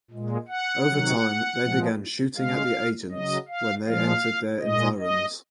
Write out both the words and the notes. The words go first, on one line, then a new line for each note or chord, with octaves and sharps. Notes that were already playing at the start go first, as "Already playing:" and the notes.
Over time they began shooting at the agents when they entered their environs.
A#2 G#3
F#5
C3 D#3 F#3
A#2 F3 G#3
C#3 G#3 F5
C#3 F#3 D#5
F5
A#2 F3 G#3 F5
A#2 G#3 D#5
D#5